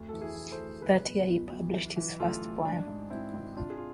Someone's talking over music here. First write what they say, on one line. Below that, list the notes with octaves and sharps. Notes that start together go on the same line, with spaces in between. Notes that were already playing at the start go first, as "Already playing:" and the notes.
That year he published his first poem.
Already playing: F1 D2
E3 A4
E4 G#4
E3
A4 C5
D2
B1 G#4 B4
B2
B2
B1
E3
E3
A1 F4 A4
A1
G#2 D4
G#2
G#2 C4 E4
G#1
C3 D4 F4
G#4
F4